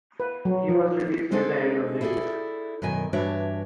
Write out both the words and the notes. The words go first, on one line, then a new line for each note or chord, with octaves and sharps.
He was released at the end of the year.
B4
F#3
F3
G#3 C4 D4 D#4 G#4 A4
E4 G#4 A4 B4 D5
F#2 B2 D#3 G#5
G2 E3 D4 F#4 C#5 E5